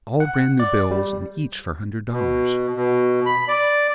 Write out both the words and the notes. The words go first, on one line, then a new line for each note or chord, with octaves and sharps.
"All brand new bills and each for a hundred dollars."
F#5
D5
G3
B2
B2
B5
D5